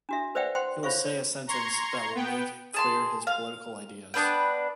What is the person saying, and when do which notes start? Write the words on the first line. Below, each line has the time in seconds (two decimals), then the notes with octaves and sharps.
He will say a sentence that will make clear his political ideas.
0.09 D4 F#4 E5
0.35 B4 C5 D5 E5 F#5 G5
0.55 C5 F#5 G5 C6
0.83 F4 C5 C#5 F5 C#6
1.05 C#5
1.47 A#5 C6 C#6 G#6
2.15 B3 G5
2.74 G#4 A5 C6
3.27 F5
4.14 B3 D4 B4 G5